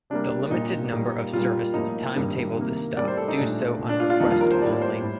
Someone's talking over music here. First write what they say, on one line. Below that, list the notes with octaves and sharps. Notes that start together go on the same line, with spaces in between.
The limited number of services timetabled to stop do so on request only.
C3 G3 A#3 D4
A#2 G3 A#3 D#4
A#2 G3 A#3
A#2 G3 A#3 F4
A2 F3 A#3 D#4
G2 D#3 G3 A#3
C3 D#3 A#3
A2 G3 A#3 D5
C5
A4
D#4
A#2 A3 D4
A#2 A3
D4
F4
F4
F2 D#3 G3 A#3 D#4
F4
A#4
C5
A2 G3 A#3 D5
C5
A2